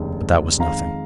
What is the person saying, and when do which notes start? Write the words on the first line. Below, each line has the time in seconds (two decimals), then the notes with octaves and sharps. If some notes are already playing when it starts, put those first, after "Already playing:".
But that was nothing.
Already playing: F1 D#2 C#3
0.60 F2 D#3 G#3 F5 A#5